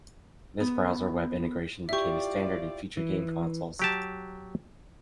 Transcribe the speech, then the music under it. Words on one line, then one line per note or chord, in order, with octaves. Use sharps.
This browser web integration became a standard in future game consoles.
B3
E4 F4 G4 D5 E5 C#6
E3
F#3 G4 A5